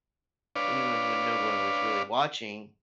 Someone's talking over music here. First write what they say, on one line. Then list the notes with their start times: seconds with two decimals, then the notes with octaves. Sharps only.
even when no one was really watching,
0.56 D4 B4 C#5 D5 F5